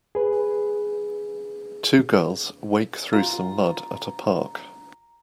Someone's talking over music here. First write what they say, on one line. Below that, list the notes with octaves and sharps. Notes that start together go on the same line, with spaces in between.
Two girls wake through some mud at a park.
G#4 B4
F4 A#5